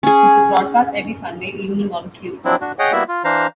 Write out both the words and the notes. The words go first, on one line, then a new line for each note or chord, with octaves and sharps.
It was broadcast every Sunday evening on Q.
C#4 G#4
F3 F#3 C4 D4 E4
D4 F#4
G#4 C#5 D#5 F#5 G5
G3 A#3 B3 E4 F#4 E5
F4
E3 D4 C5 F5 A#5